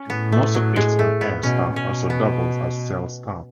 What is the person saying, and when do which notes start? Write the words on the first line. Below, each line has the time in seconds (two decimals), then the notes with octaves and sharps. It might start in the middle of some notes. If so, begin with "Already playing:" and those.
Most of its on air staff also doubles as sales staff.
Already playing: C#4
0.10 A2 B3
0.32 A3
0.54 F#3
0.76 G#3
0.99 A3
1.21 B3
1.43 B2 C#4
1.76 B2 C#4
2.10 B3